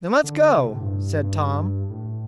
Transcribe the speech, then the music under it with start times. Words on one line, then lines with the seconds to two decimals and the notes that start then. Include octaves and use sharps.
"Then let's go," said Tom.
0.24 D3
0.57 C3
0.68 A2
0.80 G2
1.24 G2
1.90 A2